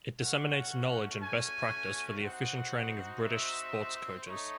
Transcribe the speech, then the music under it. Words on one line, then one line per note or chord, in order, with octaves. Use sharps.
It disseminates knowledge and best practice for the efficient training of British sports coaches.
A3 C#4 F#4 F#5
G#5
C4 D#4 F#4 F#5
E5
A3 D#4 C#5